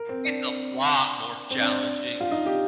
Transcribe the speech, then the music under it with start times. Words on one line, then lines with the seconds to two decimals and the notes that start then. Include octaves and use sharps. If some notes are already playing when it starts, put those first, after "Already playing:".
It's a lot more challenging.
Already playing: A#4
0.09 C4
0.25 D4
1.51 C4
1.60 D4
2.20 F4
2.31 D#4
2.46 G4